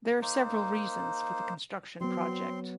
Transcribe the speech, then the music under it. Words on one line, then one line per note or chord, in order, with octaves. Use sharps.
There are several reasons for the construction project.
A#3 D#4 C5
F#3 B3 C4 C6